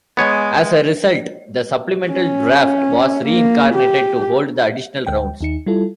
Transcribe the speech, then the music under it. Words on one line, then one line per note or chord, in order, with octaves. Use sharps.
As a result, the Supplemental Draft was re-incarnated to hold the additional rounds.
G#3 B3 C#5 G#5
C#4
A#3
G4
D2 G5
D#2 D#4 C#7
G3 E4 F4 A4